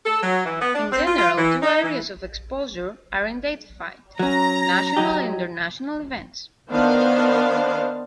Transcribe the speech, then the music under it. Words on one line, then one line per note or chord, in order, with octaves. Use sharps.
In general two areas of exposure are identified: national and international events.
A4
F#3
E3
B3
D4
C4
F4
F4
E3
D#4
E3
F#3 C#4 A#5
F#3 D#4 G4
D#3 B3 D4 C5 F5